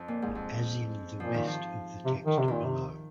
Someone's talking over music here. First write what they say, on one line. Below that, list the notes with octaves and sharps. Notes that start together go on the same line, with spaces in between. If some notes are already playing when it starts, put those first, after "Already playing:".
As in the rest of the text below.
Already playing: F2
A#2
G#2
F2
A#2 F3
D#3
F3
C3
D#3
C3
A#2 D#3
C3